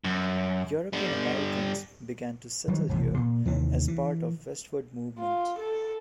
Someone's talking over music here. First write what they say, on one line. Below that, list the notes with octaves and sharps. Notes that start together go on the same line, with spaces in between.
European Americans began to settle here as part of westward movement.
F#2
D3 G3
D#3 F#3 G3
E1 A1 C3
A#2
D#2 C3 D#3 E3
E3
F4
A4